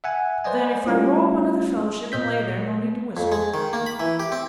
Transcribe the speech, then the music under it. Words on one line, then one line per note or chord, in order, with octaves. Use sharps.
'Then if I row up under the Fellowship and lay there, no need to whistle.
E5 F#5 G#5
B4 C5 D5 D#5 G#5
G3 A3 C#4 E4 F4
A#2 D#5 G6 B6
F2
G#3
D#3
A#3
B5
E3
G4
C4